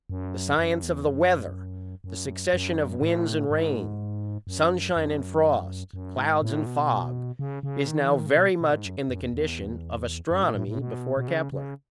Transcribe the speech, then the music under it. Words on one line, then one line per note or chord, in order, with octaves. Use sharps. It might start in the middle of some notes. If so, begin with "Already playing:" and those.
The science of the weather, the succession of winds and rain, sunshine and frost, clouds and fog, is now very much in the condition of astronomy before Kepler.
F#2
F#2
E2
F#2
F#2
F#2
A2
G#2
F#2
F#2
F#2
G#2
A2
B2
C#3
C#3
D#3
E3
D#3
C#3
B2
B2
G#2
F#2
F#2
E2
E2
F#2
A2
A2
A2
B2
B2
C#3
C#3